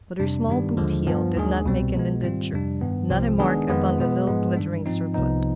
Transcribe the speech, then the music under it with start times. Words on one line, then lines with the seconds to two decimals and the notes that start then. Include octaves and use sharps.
But her small boot heel did not make an indenture, not a mark upon the little glittering circlet.
0.20 F2 C3 G3 D4
0.49 G2 D#3 G3 B3 D4
0.77 D#2 D3 F3 G#3
1.06 G2 F3 B3
1.36 D#2 D#3 G#3 D4 G#4
1.65 C2 B2 G3 C4
1.94 B2 G#3 B3
2.23 G#2 D#3 G3 C4 F4
2.52 F2 C3 G3 D4
2.82 G2 D#3 B3
3.10 C2 C3 F3 C4
3.40 D#3 G#3 B3 D4 G#4
3.69 F2 D#3 G#3 B3
3.98 B2 G#3 B3
4.27 G#2 F3 G#3 B3
4.56 G2 D#3 G3 D4
4.86 G#2 F3 C4 D#4
5.14 C2 C3 F3 B3 D#4